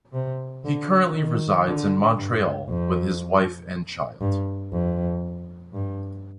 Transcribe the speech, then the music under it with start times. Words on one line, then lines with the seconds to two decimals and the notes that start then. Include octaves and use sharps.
He currently resides in Montreal with his wife and child.
0.13 C3
0.65 D3
1.15 D#3
1.67 D3
2.18 G2
2.68 F2
4.21 G2
4.72 F2
5.74 G2